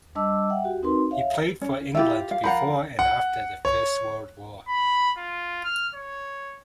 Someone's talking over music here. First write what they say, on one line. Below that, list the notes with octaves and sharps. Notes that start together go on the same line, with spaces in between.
He played for England before and after the First World War.
G3 D4 D#5 A5 D6 E6
E5 F#5 G5
F#4 G4
C4 D#4 F#4 A#4 B4 C6
C#5 E5 F5
C#4
E4 F4 G4 E5
F5
F3 A#4 F5 F#5 B5
F#5
C#5
B5
F4
F6
C#5